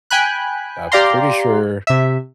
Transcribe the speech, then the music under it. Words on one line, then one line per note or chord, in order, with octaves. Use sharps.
I'm pretty sure
G5 G#5 B5 F#6
G4 D5 F5 A#5 C6
C3 E5